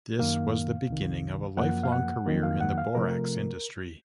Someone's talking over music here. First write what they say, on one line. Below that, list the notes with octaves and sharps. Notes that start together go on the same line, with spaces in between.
This was the beginning of a lifelong career in the borax industry.
F#2 D#3 A#3 F5
C2 C3 D#3
F#2 F3 A#3 F#5
F5
F#5
F2 D#3 F#3 A#3
F5
F#5
F5
C3 F3 A3 A#4